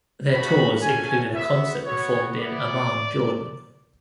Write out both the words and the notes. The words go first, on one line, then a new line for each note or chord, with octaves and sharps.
Their tours included a concert performed in Amman, Jordan.
A3 D4 F#4 B5
A3 C#4 F#4 G#5
B3 F#4 E5
B3 F#4 C#5
B3 E4 D5